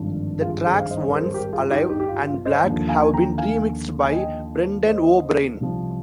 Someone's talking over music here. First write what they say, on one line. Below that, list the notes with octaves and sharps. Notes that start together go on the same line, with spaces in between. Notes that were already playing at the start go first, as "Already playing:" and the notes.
The tracks "Once", "Alive," and "Black" have been remixed by Brendan O'Brien.
Already playing: G#1 G2 D3 F3
F4 G#4
G#4 C5
F5
C5 D#5
A#4
G#4 C5
C5
G4 A#4
F4 G#4
D#4 G4
D#4 G4
G4
F4
F4
C5 D#5
D#2 D3 F3
F5 G#5
G5 A#5
F5 G#5
G#5
D#5 G5
C5 D#5
C2 C3 F3